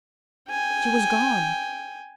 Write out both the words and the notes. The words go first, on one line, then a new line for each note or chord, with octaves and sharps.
She was gone.
G5 G#5